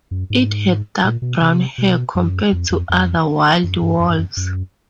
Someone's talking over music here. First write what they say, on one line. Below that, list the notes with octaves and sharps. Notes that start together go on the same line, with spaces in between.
It had dark brown hair compared to other wild wolves.
F#2
G#2
A#2
B2
C3
B2
F#2
F2
F2
F2
F#2
G2
F#2
G2
F#2
F#2